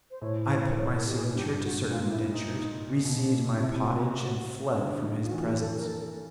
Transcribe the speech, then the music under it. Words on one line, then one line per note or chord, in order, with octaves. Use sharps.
I put my signature to certain indentures, received my pottage, and fled from his presence.
C5
A2 C#5
C5
C#5
A#4
G4
G#4
G2 G4
G#2 F#4
A#2 F4
E4
D#4
B2
D#4
C3 E4
F4
F#4
D3
D#3
F4
E3 F#4
G4
A4
A#4
A4